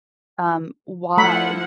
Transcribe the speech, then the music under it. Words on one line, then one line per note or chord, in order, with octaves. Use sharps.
um, "Why?"
F3 A3 E4 F#5 B5